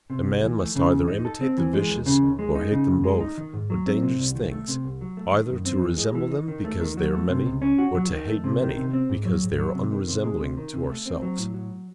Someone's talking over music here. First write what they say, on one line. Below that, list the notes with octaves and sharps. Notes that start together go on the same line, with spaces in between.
A man must either imitate the vicious or hate them both are dangerous things, either to resemble them because they are many or to hate many because they are unresembling to ourselves.
C3
C2
E3
A3
C#3
E2
D#4
A4
C4
E3
G#3
D#2
C#3
D#2
G#3
D#4
C#3
F#2
G#3
D#4
D#3
G#2
F#3
C4
C3
C2
D#3
A3
C3
C2
F#3
A3
D#3
F#2
C4
E3
G#3
E3
D#4
D#3
A3
D#3
F#3
A3
C3
C#2
C#4
F#4
F#3
D#3
A3
C3
D#3
C3
C4
G#2
F#3
G#2
F#3
C3
D#3
C3
G#3
C3
D#3
C3
A3
C4
F#3
A2
F#3